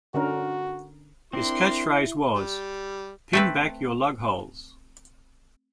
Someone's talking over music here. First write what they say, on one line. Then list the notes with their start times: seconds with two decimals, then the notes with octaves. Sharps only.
His catchphrase was 'Pin back your lugholes'.
0.14 D3 C#4 F#4 A#4
1.33 C4 D4 E4 A#4 C6
2.36 G3
3.33 A3 C4 B4